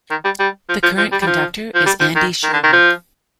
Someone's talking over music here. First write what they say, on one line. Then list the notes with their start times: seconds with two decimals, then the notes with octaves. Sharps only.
The current conductor is Andy Sherwood.
0.11 D#3
0.25 G3
0.40 G3
0.69 F3
0.83 F3
0.98 F3
1.12 G3
1.22 G3
1.27 F3
1.75 F3
1.86 G3
2.00 F3
2.16 D#3
2.44 D#3
2.53 D3
2.64 D#3
2.73 F3